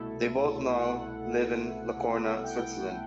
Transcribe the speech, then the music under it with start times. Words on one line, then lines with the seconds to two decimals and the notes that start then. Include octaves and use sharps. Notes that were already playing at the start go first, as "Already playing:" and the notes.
They both now live in Locarno, Switzerland.
Already playing: C2 B2 A3 E4 A4
0.74 F#5
2.43 G5
2.58 G5